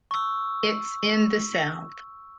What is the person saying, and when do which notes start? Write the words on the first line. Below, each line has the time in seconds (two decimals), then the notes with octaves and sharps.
It's in the south!
0.11 C#6 E6